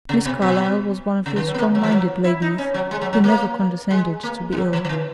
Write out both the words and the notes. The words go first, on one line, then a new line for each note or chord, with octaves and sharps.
Miss Carlyle was one of your strong-minded ladies, who never condescended to be ill.
C#3
B2
B2
C#3
D#3
F#3
B3
A#3
F#3
E3
F#3
E4
D#4
C#4
F#3
G#3
F#3
F#3
A#3
G#3
A#3
G#3
F#3
E3
E3
D#3